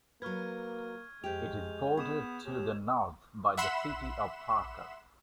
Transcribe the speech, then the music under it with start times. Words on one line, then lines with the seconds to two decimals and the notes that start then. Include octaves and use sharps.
It is bordered to the north by the city of Parker.
0.22 F#3 A#3 B4 C#6 F6 G#6
1.24 F2 G#3 G4 G6 F7
1.97 B3 G#4 G#6 E7
2.45 D#2 G4
3.57 E5 F#5 B5 C6 E7